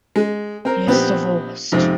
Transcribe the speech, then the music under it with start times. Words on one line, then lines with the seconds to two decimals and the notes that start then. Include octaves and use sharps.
He is divorced.
0.16 G#3
0.65 C4 A#4
0.87 A#1 B3 C4 G4
1.72 F2 G#2 C3 C4